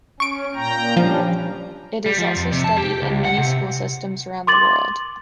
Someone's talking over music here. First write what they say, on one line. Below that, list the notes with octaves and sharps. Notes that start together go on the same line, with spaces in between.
It is also studied in many school systems around the world.
C#4 C#6 D7
A#2 G5 A#5
F3 G3 C#4 D4
G3
F3
F2
C3
A5
G4
C#2
F#5
C3
C6 D6 A6 F#7